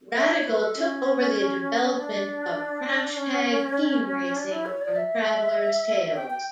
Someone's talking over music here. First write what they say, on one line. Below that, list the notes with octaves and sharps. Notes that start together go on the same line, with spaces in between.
Radical took over the development of "Crash Tag Team Racing" from Traveller's Tales.
E5
C#5
B4
A4
C#4
D4
C#4
D4
E4
C#5
D5
E5
G5
G5